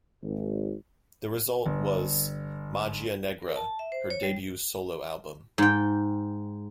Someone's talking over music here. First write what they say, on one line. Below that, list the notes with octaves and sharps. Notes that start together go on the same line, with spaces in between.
The result was "Magia Negra", her debut solo album.
G#1
G1
A#4
A5
E5
C5
C#5
G3
G#2 G5